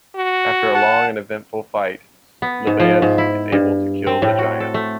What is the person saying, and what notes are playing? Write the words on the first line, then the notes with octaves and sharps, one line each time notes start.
After a long and eventful fight, Libeaus is able to kill the giant.
F#4
F#5 A5
B3
G#2
F3
G#2
E4
G2
C4
A2
F#4
A4
A3